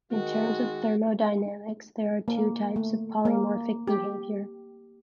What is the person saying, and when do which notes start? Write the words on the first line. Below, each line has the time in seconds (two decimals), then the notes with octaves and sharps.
In terms of thermodynamics, there are two types of polymorphic behaviour.
0.12 D#3 G#3 F#4
2.28 A#3
2.76 A3
3.25 A#3
3.87 G4